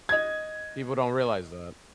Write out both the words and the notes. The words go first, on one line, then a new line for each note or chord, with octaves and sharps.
People don't realize that.
D#5 G#6